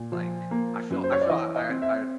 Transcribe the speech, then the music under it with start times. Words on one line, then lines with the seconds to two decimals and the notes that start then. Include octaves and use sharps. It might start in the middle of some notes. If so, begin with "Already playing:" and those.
Like, I feel I feel I I
Already playing: A#2
0.12 F3
0.51 A#3
0.90 F#2
1.03 C5
1.12 C#5
1.22 D5
1.30 E3 D#5
1.56 D#5
1.69 C4
1.82 E5